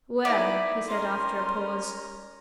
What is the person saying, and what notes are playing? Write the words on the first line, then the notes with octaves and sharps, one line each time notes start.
"Well?" he said after a pause.
D#4 E4 D5 E5
C#4 A#4 C6